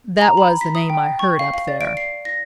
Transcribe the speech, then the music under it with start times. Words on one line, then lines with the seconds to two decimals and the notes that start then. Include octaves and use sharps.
That was the name I heard up there.
0.21 A#5
0.37 B5
0.61 B6
0.75 D#6
0.90 G5
1.19 C#6
1.39 F5
1.54 F5
1.68 D5
1.81 D7
1.97 C7
2.25 A#6